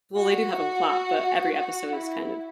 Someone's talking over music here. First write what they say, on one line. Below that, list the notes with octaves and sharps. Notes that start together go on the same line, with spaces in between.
Well, they do have a plot, but every episode is kind of
F#4
F#4
E4